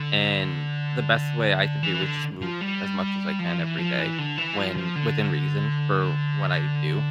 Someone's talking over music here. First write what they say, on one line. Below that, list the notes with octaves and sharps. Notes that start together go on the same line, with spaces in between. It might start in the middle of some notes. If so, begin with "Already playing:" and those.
and the best way I can do is just move as much as I can every day when within reason for what I do.
Already playing: D3
E3
D3
F3
G3
F3
E3
F3
E3
D3
E3
F3
F3
D3